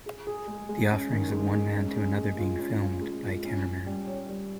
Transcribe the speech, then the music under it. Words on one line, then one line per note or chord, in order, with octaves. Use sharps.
The offerings of one man to another being filmed by a cameraman.
G#4
G#4
G#3
G#3
C#4
D#3
G#3
G#3
C#4
G#3
G#3
F4
C#4
F4
G#3
F4
C#4
C#4
G3
C#5
G3